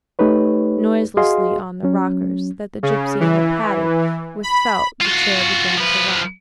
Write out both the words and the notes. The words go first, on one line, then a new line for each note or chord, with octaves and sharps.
Noiselessly on the rockers that the gipsy had padded with felt the chair began to rock.
A3 D#4 G4 B4 C#5
F#4 G#4 D#5 F5 C6
F#3 C#4
C#3
E3
B5
F4 F#4
F3 B4